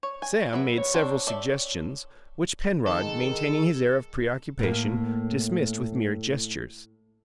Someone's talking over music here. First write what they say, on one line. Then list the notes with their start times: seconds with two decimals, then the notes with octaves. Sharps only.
Sam made several suggestions, which Penrod--maintaining his air of preoccupation--dismissed with mere gestures.
0.03 C#5
0.22 G#5
0.53 F#3 B4 E5
0.78 C#5
0.94 C4 D4
1.27 A4 D5 E5
2.86 G#2 D#3 A4 B4
4.59 A2 A#3